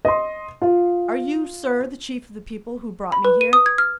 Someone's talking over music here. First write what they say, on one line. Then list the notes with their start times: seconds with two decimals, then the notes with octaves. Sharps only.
"Are you, sir, the chief of the people who brought me here?"
0.05 D#5 C6
0.62 F4
3.12 B5
3.25 B4
3.41 D#7
3.53 D#6
3.66 G#6
3.78 F6